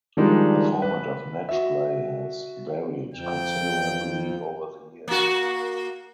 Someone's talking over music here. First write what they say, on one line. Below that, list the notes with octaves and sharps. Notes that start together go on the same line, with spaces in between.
The format of match play has varied considerably over the years.
D#3 F3 G3 G#3 D4 D#4
B4
F#4 E5
F2 G5
A#3 F#4